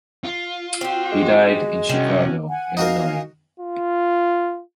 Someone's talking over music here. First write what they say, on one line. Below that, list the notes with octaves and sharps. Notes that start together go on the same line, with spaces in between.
He died in Chicago, Illinois.
F4
C4 F#4 G4
G#3
C2 D#3 C#4 F#4
F#5 G#5
D#4 F#4 A#4 F5 G#5
F4